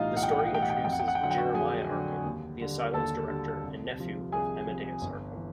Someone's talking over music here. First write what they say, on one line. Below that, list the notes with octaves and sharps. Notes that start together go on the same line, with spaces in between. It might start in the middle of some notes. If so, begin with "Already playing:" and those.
The story introduces Jeremiah Arkham, the asylum's director, and nephew of Amadeus Arkham.
Already playing: B1 A2 E3 G3 D#4 F4 D#5 F5
B1 F#5
G5
F#5
G5
F#5
A2 E3 G3 G5
F#5
G5
F#5
F2 G5
F#5
G5
F#5
G5
D3 F#3 F#5
G5
F#4 F#5
F2 G#4 G#5
D3 F#3
D#2
D3 G3
D#2 A4 A5
D3 G3
C2
C3 F3
C2 G#4 G#5
C3 F3
G1
E3